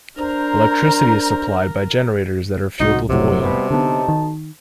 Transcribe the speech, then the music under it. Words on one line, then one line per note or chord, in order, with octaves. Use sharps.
Electricity is supplied by generators that are fueled with oil.
D4 A#4 C5 A#5
C2 D#4 F#4 C5
F1 B1 A2 C3 F#3
B2 G3
B1 D3 B3 D#4 A5
D#3